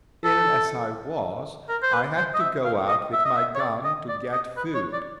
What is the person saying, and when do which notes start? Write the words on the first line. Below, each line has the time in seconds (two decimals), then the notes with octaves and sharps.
Ill as I was, I had to go out with my gun to get food.
0.24 A4
1.69 A#4
1.82 C5
1.93 B4
2.16 C5
2.34 D#5
2.40 E5
2.64 F5
2.88 D#5
3.13 E5
3.25 D#5
3.37 E5
3.55 C#5
3.60 D5
3.85 D#5
4.08 D5
4.32 D#5
4.57 B4
4.75 C#5
4.93 D5